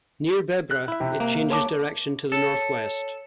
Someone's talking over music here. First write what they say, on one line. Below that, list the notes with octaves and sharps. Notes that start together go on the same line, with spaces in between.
Near Bebra it changes direction to the northwest.
F#6
E4 E5
C3 G4
A#3
C#5 A5 D6
A4 C#5